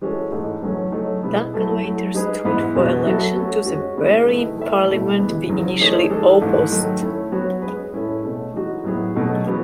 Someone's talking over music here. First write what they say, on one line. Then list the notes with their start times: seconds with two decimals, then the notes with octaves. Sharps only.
Duncan later stood for election to the very parliament he initially opposed.
0.01 E3 G#3 C#4 F#4 A4
0.32 G#2 E3 A3 D#4 G#4
0.62 E2 C#3 F#3 A3 C#4
0.92 F#3 A3 D#4 A4 C#5
1.23 B2 G#3 B3 E4
1.54 F#3 A3 E4 A4
1.84 F#3 A3 E4
2.14 G#3 D#4 G#4 B4
2.45 G#2 E3 B3 E4 B4
2.75 E2 B2 G#3 B3 F#4
3.06 F#3 B3 F#4 A4 E5
3.36 A3 C#4 F#4
3.66 G#3 C#4 F#4
3.97 C#3 G#3 B3 E4
4.27 D#3 A3 E4 B4 D#5
4.58 A3 E4 B4 E5
4.88 B2 A3 E4
5.19 E3 G#3 B3
5.49 E2 C#3 F#3
5.80 E3 A3 D#4 G#4 C#5
6.10 E3 G#3 D#4 A4
6.41 G#2 E3 A3 D#4
6.71 D#3 F#3 A3
7.01 A3 C#4 E4
7.32 F#3 B3 F#4 C#5
7.62 G#3 C#4 G#4 B4
7.93 A2 G#3 C#4 E4 A4
8.23 B2 A3 C#4
8.53 E3 G#3 D#4 F#4
8.84 A2 F#3 B3 E4 G#4
9.15 B2 F#3 A3 D#4 G#4
9.45 C#3 E3 B3 F#4